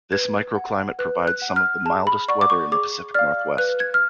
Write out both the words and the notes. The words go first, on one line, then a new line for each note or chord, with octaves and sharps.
This micro-climate provides some of the mildest weather in the Pacific Northwest.
B4 G#6
F#5
B4 F#6
F#6
F#5
F6
G#4 A5
B5
D5 F#5 C#6
D6
C#6
G#4 D6
D5 F5 F6
B4 F#6
G#6
F6